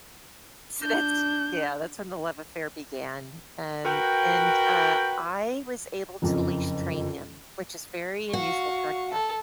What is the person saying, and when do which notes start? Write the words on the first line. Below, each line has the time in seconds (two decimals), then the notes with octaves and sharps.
So that's Yeah, that's when the love affair began, and and, uh, I was able to leash train him, which is very unusual for a cat.
0.82 D4 G6
3.85 F#4 A#4 B4 G5
6.22 F#1 F2
8.33 F#4 F5 C#6
9.12 A4